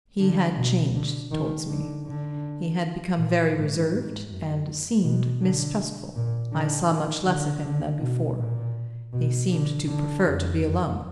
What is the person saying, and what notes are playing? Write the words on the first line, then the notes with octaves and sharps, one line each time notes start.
He had changed towards me; he had become very reserved and seemed mistrustful. I saw much less of him than before; he seemed to prefer to be alone.
D3
B2
D3
D#3
D3
D3
A#2
G#2
G#2
F#2
B2
D3
A#2
D3
D#3
D3
D3
B2
A#2
B2
D3
D3
F2
F#2